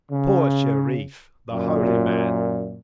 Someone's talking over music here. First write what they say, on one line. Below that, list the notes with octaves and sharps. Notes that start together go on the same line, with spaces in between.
Poor Shereef!—the holy man!
C#3
F#2 A#2